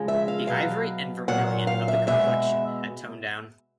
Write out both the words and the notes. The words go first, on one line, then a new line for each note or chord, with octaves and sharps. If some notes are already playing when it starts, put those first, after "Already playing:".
The ivory and vermilion of the complexion had toned down.
Already playing: C#3 F3 G#3
E5
F5
B2 F#3 F5
A#2 F#3 F#5
F5
E5
B2 G#3 E5